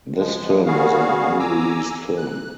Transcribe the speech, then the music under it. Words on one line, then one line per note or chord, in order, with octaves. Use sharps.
This film was an unreleased film.
F3 G#3
G3 B3 F#4 G#4 F5
G#5 A#5 D6 E6
F#6